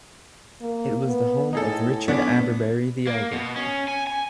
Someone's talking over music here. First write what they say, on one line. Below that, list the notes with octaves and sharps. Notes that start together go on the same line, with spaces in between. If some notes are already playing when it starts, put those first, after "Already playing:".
It was the home of Richard Abberbury the Elder.
A#3
B3
A2 D#4 G#4 A4
D3 B3 C#4 D4
A#3
B2
C#4
G#5
G#5